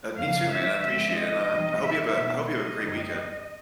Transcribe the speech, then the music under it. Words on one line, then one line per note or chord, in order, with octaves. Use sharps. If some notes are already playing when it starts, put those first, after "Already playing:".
uh, me too, man. I appreciate it, and I I hope you have a I hope you have a great weekend.
F2 C#3 F3 A#3 D#4 F5
E5
D3 F3 G#3 C4
D#5
E2 B2 G3 C4 D#4
E5
B2 G#3 B3 D#4
D#5
F#2 D3 G3 C4 D#4